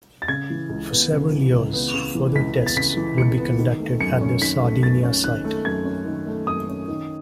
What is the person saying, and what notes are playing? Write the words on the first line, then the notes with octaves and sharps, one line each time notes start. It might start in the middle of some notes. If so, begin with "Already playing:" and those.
For several years, further tests would be conducted at the Sardinia site.
A6
C#3 G#6
E3
C#2
B3
C#3
E3
C#2
B3
C#3
E3
C#2 B6
B3
A6
C#3 B6
E3
C#2 C#7
B3
D#3
A3
F#2 C#7
C#4
D#3 B6
A3
F#2 A6
C#4
D#3 F#6
A3
F#2 G#6
C#4
D#3
A3
F#2 D#6
C#4
D#3